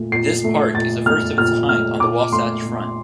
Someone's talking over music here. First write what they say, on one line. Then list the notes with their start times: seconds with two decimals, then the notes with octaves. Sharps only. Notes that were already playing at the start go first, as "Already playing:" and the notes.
This park is the first of its kind on the Wasatch Front.
Already playing: A#2 A3
0.12 A#2 C7
0.44 A3
0.74 A#2 A6
1.06 A3 F6
1.37 A#2 F6
1.69 A3 F6
2.00 A#2 D6
2.32 A3 C6
2.63 A#2